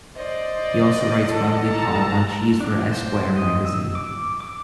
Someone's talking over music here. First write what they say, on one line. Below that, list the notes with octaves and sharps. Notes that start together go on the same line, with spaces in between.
He also writes a monthly column on cheese for Esquire Magazine.
C5 D5 D#5
A4
A5 A#5
D4
C5
D#5
E6
D6
D6